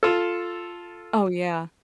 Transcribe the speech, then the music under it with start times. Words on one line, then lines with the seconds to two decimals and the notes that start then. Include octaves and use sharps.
Oh yeah.
0.03 F4 A4